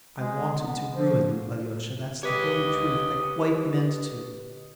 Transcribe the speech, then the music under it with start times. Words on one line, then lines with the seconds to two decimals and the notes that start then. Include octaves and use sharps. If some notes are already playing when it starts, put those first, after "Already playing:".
I wanted to ruin you, Alyosha, that's the holy truth; I quite meant to.
0.20 G#3
0.59 B3
0.93 F3
2.23 G4 B4 C#5 D#5 B6